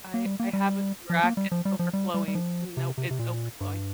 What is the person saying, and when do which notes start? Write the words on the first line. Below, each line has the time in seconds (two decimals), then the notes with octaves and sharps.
I I have a shoe rack, it's overflowing. Nope, it's overflowing.
0.14 A#3
0.26 G3
0.40 A#3
0.53 G3
1.10 F3
1.23 A#3
1.37 G3
1.52 F3
1.65 G3
1.79 F3
1.93 G3
2.14 G3
2.28 G3
2.35 F3
2.77 C3
2.98 C3
3.11 C3
3.19 A#2
3.61 G2